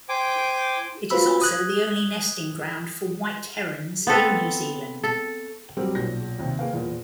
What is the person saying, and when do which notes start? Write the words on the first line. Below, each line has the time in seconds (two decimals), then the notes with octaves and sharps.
It is also the only nesting ground for white herons in New Zealand.
0.09 C5 G5 G#5 D6
1.10 F4 F#4 B4 C5 B5 E6
1.42 D#6 F#6 G#6
4.07 B3 C4 A4 B4
5.04 A4
5.77 F#3 G3 C4 G4 A#4
5.95 B1 A#2 G6 A#6
6.39 D#2 C3
6.59 A#3 G#4 A#4 B4 F5
6.73 E2 A#2 F3